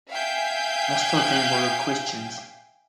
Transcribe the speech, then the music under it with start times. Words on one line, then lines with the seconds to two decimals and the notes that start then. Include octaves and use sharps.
Most of them were Christians.
0.10 E5 F5 G5 G#5 G6